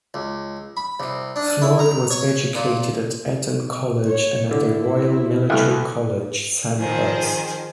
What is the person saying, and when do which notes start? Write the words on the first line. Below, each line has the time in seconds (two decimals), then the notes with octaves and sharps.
Floyd was educated at Eton College and at the Royal Military College, Sandhurst.
0.14 C#2
0.77 B5
1.00 C2
1.36 D4
1.62 E4
1.79 A#5
2.10 C#5
2.56 A#2
4.07 C#5
4.51 D3 E4
5.50 C2 A3 F6
6.78 D#3 F3 G#4 C5